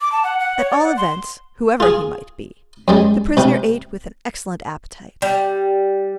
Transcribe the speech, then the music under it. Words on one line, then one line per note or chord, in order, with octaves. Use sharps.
At all events, whoever he might be, the prisoner ate with an excellent appetite.
D6
A5
F#5
F#5
C#5
D5
F#5
C6
F4 G#4
F#2 G3 G#3
C2 C3
G3